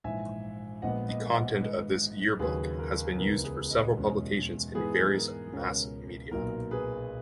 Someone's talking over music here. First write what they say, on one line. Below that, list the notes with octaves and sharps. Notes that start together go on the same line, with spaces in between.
The content of this year-book has been used for several publications in various mass-media.
A#1 G#2 E3 E5 G#5
A#1 A#2 G#3 B3 D#5 F#5
B4 D#5
D#5 F#5
G#2 D#3 G#3 B4 D#5
D#2 C#3 F#3 G#4 B4
A#4
C#2 C#3 E3 B3 A#4
G#4 B4
B4 D#5
E2 B2 G#3 C#4
G#2 E3 G#3 B3 G#4 B4
A#4
C#2 B2 G#3 C#4 A#4
B1 A#2 F#3 A#4
G#4 B4